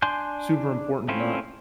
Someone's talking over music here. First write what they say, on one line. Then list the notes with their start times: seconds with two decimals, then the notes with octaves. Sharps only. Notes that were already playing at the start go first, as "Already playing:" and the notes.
super important to not
0.02 D4 G#5 C6 G6
1.08 A3 C4 C#4 E4 F4